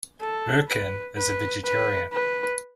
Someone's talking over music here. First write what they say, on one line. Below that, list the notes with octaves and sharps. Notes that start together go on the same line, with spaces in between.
Mirkin is a vegetarian.
A4
B4
B4
B4
B4